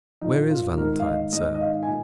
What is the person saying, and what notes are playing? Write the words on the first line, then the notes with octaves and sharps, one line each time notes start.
Where is Valentine, sir?
A#2 F3 D#4
F4
G#2 D#3 A#4
F5
D#5
G#2 D#3 D#5
D#5
F5
G#5
A#2